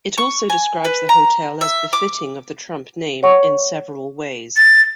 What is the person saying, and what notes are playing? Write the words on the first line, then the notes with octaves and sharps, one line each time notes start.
It also describes the hotel as befitting of the Trump name in several ways.
C#6
G#5
B4
A#5
E5
D6
C#5 F#5 C#6
A6